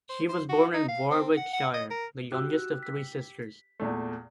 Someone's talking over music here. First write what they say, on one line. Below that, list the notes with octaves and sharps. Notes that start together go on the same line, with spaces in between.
She was born in Warwickshire, the youngest of three sisters.
C5
C5
F#4
D#4
F5
C4
F#5
F#5
D#5
A#4
F#4 G4 E6 F#6
F#6
B6
E2 A#2 A3